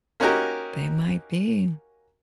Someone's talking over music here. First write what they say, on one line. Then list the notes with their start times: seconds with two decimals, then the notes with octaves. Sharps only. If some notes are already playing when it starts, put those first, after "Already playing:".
They might be.
0.20 A#3 C#4 D#4 F#4 G4 A#4